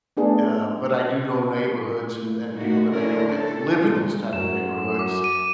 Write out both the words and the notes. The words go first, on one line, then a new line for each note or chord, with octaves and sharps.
uh, but I do know neighborhoods a and people that I know that live in those type of neighborhoods,
A3 B3 D4 G#4
A2 A#3 D#4 F#4
D3 C#4 D4 E4 A#4
A4
G3 G#3
F#2 E7
D6
D#7